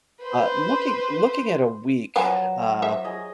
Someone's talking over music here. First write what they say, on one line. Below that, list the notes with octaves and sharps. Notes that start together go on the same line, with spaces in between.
Uh, looking looking at a week, uh,
B4 C5
F3 F#3 B4 G#5
C5 E5
G#4 D#5